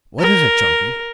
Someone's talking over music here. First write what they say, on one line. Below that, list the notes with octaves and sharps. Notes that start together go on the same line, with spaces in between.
"What is it, Chunky?"
A#4